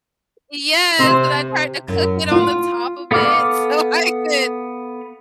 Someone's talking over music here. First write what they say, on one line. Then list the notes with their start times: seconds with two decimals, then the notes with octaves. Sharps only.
Yes, and I tried to cook it on the top of it, so I could
0.99 C3 C4 C5
1.88 F#2
2.31 F4
3.11 B3 A4 F5 D6 F6